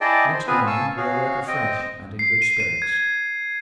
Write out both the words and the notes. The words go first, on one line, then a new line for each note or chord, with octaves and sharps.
Next morning, we awoke fresh and in good spirits.
E4 G#4 D5 D#5 G5 A5
C5
B3 C4 F4 G#4 B4 G#5
F5 G#5 A5 C#6 E6
F#4 G#4 C#5 F5
C4 D#5 G5
C7
D#7
D#7
G#6